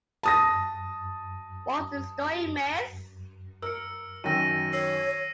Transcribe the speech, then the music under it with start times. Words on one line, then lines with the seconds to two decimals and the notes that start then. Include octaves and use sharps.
What's the story, miss?
0.23 A5 D#6 A#6
3.62 A#4 E6 C#7
4.24 F#2 D#3 G5 E6 A#6 D#7
4.73 C#5 E6 C7